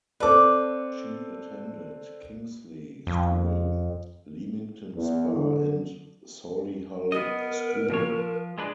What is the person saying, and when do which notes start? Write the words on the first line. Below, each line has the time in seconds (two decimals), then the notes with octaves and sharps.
She attended Kingsley School, Leamington Spa and Solihull School.
0.20 C4 A4 B4 D5 D6
3.07 F2
4.95 E2
5.34 D3
7.12 B3 A#4 D#5
7.90 A#2 F3 C#5
8.10 F3
8.58 G#3 D4 B4